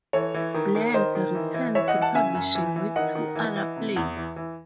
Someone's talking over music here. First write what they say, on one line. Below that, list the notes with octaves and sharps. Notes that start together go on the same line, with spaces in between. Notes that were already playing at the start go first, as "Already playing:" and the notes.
Blank returned to publishing with two other plays.
E3 A4 C#5
E3
D#3
D#3
D#3 C5 D#5
D#3
E3
E3
E3 C#5 E5
D#5 F#5
E3
F#5 A5
C#3 E5 G#5
F#2
E3
E3
D#3 D#5 F#5
D#3
E3
E3
C3
E2
E3
E3